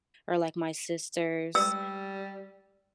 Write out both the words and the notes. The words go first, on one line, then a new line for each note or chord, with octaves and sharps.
or, like, my sisters
G3 E6